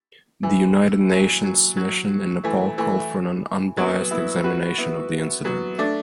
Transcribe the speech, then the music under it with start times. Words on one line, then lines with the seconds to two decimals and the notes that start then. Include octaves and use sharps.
The United Nations Mission in Nepal called for an unbiased examination of the incident.
0.43 E3
1.11 F#3
1.44 F#3
1.77 F#3
2.44 E3 A3
2.78 E3 A3
3.77 F#3 B3
4.11 B3 E4
4.44 F#4 B4
4.78 B3 E4
5.44 F#3 B3
5.78 A3 D4